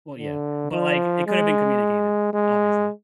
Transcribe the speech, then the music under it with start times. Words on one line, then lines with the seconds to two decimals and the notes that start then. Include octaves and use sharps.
Well, yeah, but, like, it coulda been communicated obviously.
0.19 D3
0.72 F3
1.27 G#3
2.34 G#3